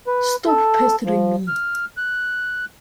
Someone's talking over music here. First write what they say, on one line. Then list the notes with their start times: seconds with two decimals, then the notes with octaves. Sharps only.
Stop pestering me!
0.07 B4
0.47 A4
1.05 F3
1.48 F6
1.97 F#6